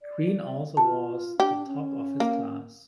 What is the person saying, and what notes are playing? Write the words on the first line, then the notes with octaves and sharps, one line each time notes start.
Green also was the top of his class.
D5
F4 A5
D4 G4
C#4
A#3